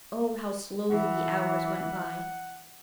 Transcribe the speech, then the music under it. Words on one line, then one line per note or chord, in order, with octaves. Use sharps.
Oh, how slowly the hours went by!
E3 F#5